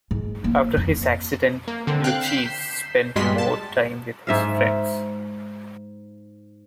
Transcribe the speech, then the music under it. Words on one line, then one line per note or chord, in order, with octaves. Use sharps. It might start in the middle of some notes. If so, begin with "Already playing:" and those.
After his accident Lucchese spent more time with his friends.
G#2
A#3
F2
A#3
D3 C4
F5 G5 F#6
G6 B6 C7 E7
G2 B2 G3 G#3 C6 B6
A5
G#2 E5 F5